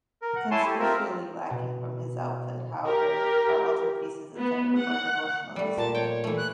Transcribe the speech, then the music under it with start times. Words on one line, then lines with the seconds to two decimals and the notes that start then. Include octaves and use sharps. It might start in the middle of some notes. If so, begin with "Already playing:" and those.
Conspicuously lacking from his output, however, are altarpieces intended for devotional display.
0.22 A#4
0.36 F#5
0.51 E4 C#5 G#5 A5 C6
0.66 G4 A4
0.79 C4 F4 A#4 E5
1.50 B2
2.86 G4 A#4
4.37 B3
4.81 F#5
5.56 G3 A3
5.78 A#2 A5
5.95 C#5 G5
6.24 E3 A3
6.37 F#6